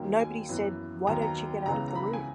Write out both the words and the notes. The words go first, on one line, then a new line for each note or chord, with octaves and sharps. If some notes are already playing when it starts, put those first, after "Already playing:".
Nobody said, 'Why don't you get out of the room?
Already playing: D#2 D#3 F#3 A#3
G#5
F#2 E3 B3
D#2 D#3 F#3 B3 A#5
A#5
C#2 C#3 E3 B3 A#5
A#5
B5
G#5